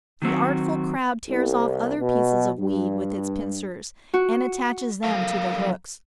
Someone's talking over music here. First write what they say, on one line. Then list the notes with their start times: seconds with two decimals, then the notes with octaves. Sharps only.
The artful Crab tears off other pieces of weed with its pincers, and attaches them to the hooks.
0.22 D#3 F#3 C4 F#4
1.29 C2
2.00 B2
2.59 G2
4.14 F#4
5.04 F2 F#3 A4 A#4 F5